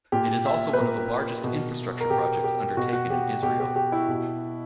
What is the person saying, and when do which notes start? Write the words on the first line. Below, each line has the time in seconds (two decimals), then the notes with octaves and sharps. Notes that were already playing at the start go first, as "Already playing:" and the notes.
It is also one of the largest infrastructure projects undertaken in Israel.
0.12 A#2 G4
0.46 E5
0.73 B4
0.78 A#2 A#4
1.44 B2
2.01 A#4
2.10 B2 G4
2.44 G4
2.77 B2 F#4
2.93 F#4
3.10 G4
3.42 B2 G4
3.60 G4
3.76 G4
3.92 E4
4.08 B2